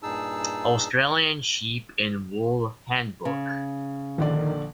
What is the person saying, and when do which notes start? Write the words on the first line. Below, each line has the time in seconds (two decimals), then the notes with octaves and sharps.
Australian Sheep and Wool Handbook.
0.03 G2 A#2 D#4 G#4 A5 E6
3.25 C#3
4.18 A#1 D3 D#3 D5